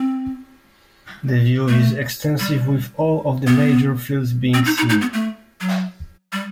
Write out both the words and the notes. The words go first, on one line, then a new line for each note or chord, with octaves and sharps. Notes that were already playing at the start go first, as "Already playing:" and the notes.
The view is extensive with all of the major fells being seen.
Already playing: C4
A3
G3
B3
C4
D#4
D#4
D#4
B3
A3
F#3
G3